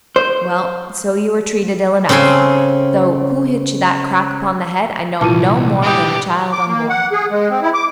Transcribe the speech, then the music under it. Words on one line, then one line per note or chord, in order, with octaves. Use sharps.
Well, so you were treated ill enough--though who hit you that crack upon the head I know no more than a child unborn.
C5
C#3 C4 A4 G#5 C6
C2 A#2 E3 F4 A5 D#7
D3 E3 G4 B5 D#6 G6
D6
A#3
F#5
G#4
G#3
C4
E4
D6